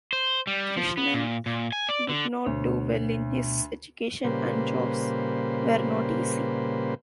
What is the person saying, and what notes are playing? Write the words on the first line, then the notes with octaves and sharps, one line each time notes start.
Krishnan did not do well in his education and jobs were not easy.
C5
G3
F3
B3
A#2
A#2
G#5
D5
D3
D2 B2 C#5
A#2 C#3 G3 A#3 B4 C5